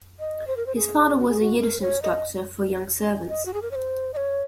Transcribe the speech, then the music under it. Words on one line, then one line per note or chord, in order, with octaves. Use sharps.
His father was a Yiddish instructor for young servants.
D#5
C5
A#4
C5
G#4
F#4
G#4
F#4
A#4
C#5
D#5
D#5
F#4
G#4
A#4
C#5
C5
D#5
C#5